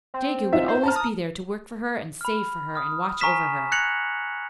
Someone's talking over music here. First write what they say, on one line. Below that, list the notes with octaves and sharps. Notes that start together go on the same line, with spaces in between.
Jegu would always be there to work for her and save for her, and watch over her.
C4
D#4 F4 E5
C5
A5 A#5 F6
D#6
B5 F6
D#6 F6
G#5 A#5 C#6 F6 B6 E7
F#6 G#6 A#6 C#7 F7 F#7